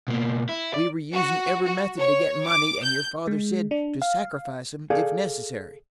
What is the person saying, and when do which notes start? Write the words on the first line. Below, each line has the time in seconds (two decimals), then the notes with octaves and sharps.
"We were using every method to get money, and your father said to sacrifice them, if necessary."
0.08 B2 A#3
0.49 E4
0.74 D5
1.13 F#4
1.63 F#4
1.98 C#5
2.47 D6
2.83 G6
3.27 G#3
3.71 D4
4.02 F5
4.90 G#4 A4 D5 F5